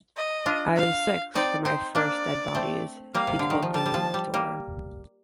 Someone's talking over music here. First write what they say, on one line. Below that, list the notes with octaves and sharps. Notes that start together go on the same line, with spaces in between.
"I was six for my first dead bodies," he told Bruno Latour.
D#5
D4 F4
F5
C4 D#4 D5
C4 D#4 C5
A#3 D4 D5
A3 C4
G3 A#3 F5
C3
D3
D#3
F3
G3 A5
G3
F3
G3
G3 A#3